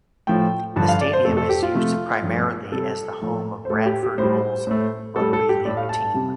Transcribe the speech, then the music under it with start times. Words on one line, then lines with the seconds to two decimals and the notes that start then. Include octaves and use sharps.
The stadium is used primarily as the home of Bradford Bulls Rugby League team.
0.27 A2 F3 A3 G5
0.76 G2 D3 F3 A5
0.88 F5
1.01 D5
1.13 C5
1.25 F2 C3 A3 A4
1.37 A4
1.49 G4
1.62 F4
1.74 C3 F3 A3
2.22 G2 F3 A3
2.72 C3 G3 A4
3.21 A2 F3 A3
3.65 C5
3.70 A2 A3 A4
3.86 G4
4.03 G4
4.18 A2 G3 C5
4.67 A2 A3
5.16 A2 G3 A4
5.33 A4
5.49 G4
5.65 A2 A3 D5
5.77 F5
5.89 A5
6.02 A5
6.14 C3 G3